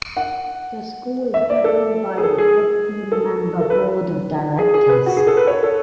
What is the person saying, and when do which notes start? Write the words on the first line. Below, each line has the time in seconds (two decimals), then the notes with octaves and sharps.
The School is governed by a fifteen-member Board of Directors.
0.17 F#5
1.34 E5
1.50 D5
1.64 A4
2.18 G#4
2.23 A4
2.38 G#4
3.12 A4
3.61 A4
3.70 B4
4.59 G#4
4.74 G#4
4.89 B4
5.06 F#4
5.17 G#4
5.27 A4
5.37 B4
5.47 C#5
5.63 A4